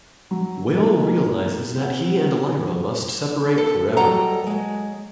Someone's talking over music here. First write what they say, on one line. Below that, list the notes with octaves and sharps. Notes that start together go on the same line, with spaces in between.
Will realises that he and Lyra must separate forever.
F#3
G#3 A#3 D#4
C4 F#5
A4
F#3 G3 A4 D#5 A#5
F#3 G#3